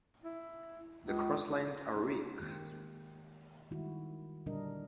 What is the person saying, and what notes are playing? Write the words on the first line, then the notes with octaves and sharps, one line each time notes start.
The crosslines are weak.
E4
C#2
D#3 G#3 A#3 G4
D#3 G3 G#3 E4 F#4
A#2 D3 G3 D4 A#4 D#5